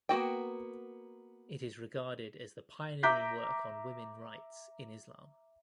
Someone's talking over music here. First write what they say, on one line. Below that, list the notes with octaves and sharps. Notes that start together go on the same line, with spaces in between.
It is regarded as the pioneering work on women rights in Islam.
A#3 B3 F#4 G5
E5 A#5 D6 G6 B6